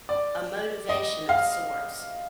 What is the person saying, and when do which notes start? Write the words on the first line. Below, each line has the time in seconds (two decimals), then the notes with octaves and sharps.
a motivation of sorts,
0.09 D5
0.89 D#5
1.29 F5